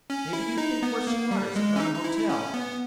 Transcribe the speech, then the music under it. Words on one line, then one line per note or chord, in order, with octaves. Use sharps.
"Maybe you think we're squatters that run a hotel?"
C#4
E4
D#4
B3
A#3
G3
G#3
C#4
D#4
D#4
E4
C#4
B3